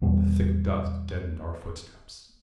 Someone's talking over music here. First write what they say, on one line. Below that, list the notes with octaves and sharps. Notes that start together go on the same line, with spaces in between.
The thick dust deadened our footsteps.
E2 B2 G3